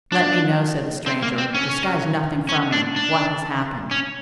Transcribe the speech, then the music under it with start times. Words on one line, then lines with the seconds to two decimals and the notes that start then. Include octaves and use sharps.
"Let me know," said the stranger,--"disguise nothing from me--what has happened?"
0.12 D4
1.06 C4
1.22 A#3
1.38 C4
1.54 C#4
2.49 C#4
2.72 D4
2.96 D4
3.91 C#4